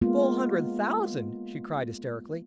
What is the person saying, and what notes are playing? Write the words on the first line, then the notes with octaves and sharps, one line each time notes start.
"Full hundred thousand?" she cried, hysterically.
G#3 A#3 B3 F4